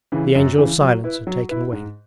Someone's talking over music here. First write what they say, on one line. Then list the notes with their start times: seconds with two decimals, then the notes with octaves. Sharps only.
The Angel of Silence had taken wing.
0.12 C#3 E3
0.35 F#2
0.58 C#3 E3
0.81 F#3
1.04 E4 B4
1.27 F#3
1.49 E4 B4
1.72 G#2